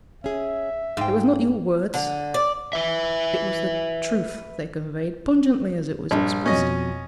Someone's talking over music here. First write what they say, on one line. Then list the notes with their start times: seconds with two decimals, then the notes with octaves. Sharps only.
'It was not your words; it was the truth they conveyed, pungently as it was expressed.
0.24 C#4 G#4 E5
0.97 G#2 F5 G5
1.94 D3
2.34 D5
2.73 B4 E5
6.11 A#1 G2
6.46 F2 B2 C#4 D#5